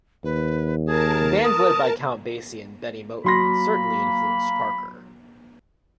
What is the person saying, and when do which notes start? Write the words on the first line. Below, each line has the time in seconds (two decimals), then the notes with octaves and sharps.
Bands led by Count Basie and Bennie Moten certainly influenced Parker.
0.24 D#2 B4
0.86 G#4 A#4 A5
1.44 D#6
3.24 F#3 A#3 B5 C6 A#6